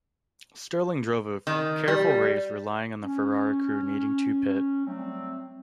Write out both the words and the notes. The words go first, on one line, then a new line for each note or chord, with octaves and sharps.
Stirling drove a careful race, relying on the Ferrari crew needing to pit.
D#3
G3
C#4
F#3 G3 A3 C4